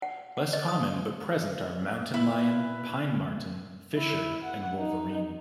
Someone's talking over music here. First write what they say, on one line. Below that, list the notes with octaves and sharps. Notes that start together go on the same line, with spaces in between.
Less common but present are mountain lion, pine marten, fisher, and wolverine.
F#5
F#5
D#5
D#6
E4 B4
E4
F#5
D#4